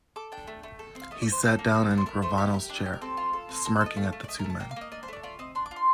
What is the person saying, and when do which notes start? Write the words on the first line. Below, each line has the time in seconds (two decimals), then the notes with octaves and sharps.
He sat down in Gravano's chair, smirking at the two men.
0.16 A4 D6
0.32 D4 G5
0.47 A3
0.63 A3
0.79 A4
0.95 C4
1.02 F5
1.11 A3 D#5
1.22 D5
1.27 A4
1.32 C5
1.43 A#3 A4
1.59 A#3
1.75 A#3
1.91 D4
1.98 C5
2.06 A3 A#4
2.22 A3 C5
2.38 G4 A#4
2.54 G4
2.69 D4
2.86 G4
2.93 A#4
3.02 C4 A4
3.17 F4
3.33 A4
3.49 C4
3.65 A4 A#4
3.76 C5
3.81 A4
3.86 D#5
3.96 A3 F5
4.13 A3
4.24 D5
4.28 A3 D#5
4.39 A#4
4.44 A3
4.50 A5
4.60 A#3 G5
4.71 F5
4.76 A#3 D#5
4.92 D4 D#5
5.03 C5
5.08 A3 D5
5.23 F4 D5
5.39 C4 D#5
5.55 D4 C6
5.66 D6
5.71 F4
5.76 C6